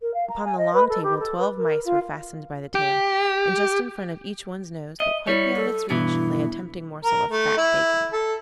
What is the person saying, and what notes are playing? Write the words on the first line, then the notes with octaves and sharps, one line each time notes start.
Upon the long table twelve mice were fastened by the tail, and just in front of each one's nose, but quite beyond its reach, lay a tempting morsel of fat bacon.
A#4
F5
A#5
G#5
D#5
B4
A4
G4
A4
B4
A#4
F4
G4
D#5 E5
G3 E4 C#5
A4
G2 B2 E3 E4
A#4
A3
E4
A4